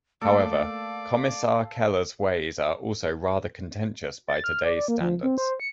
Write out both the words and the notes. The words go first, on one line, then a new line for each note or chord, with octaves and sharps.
However, Kommissar Keller's ways are also rather contentious by today's standards.
A3 A#3 A4 D5 F5
A6
F6
D5
D5
A#3
F3
C4
C5
C#7